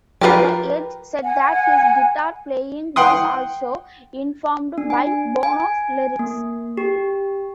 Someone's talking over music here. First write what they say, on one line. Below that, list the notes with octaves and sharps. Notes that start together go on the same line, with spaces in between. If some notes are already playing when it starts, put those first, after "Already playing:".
The Edge said that his guitar playing was also informed by Bono's lyrics.
F3 F4 G4 A#4 B4
F#5 G#5
F#5 G5 C6 D#6
D4
G#5
G#5
A#3
G4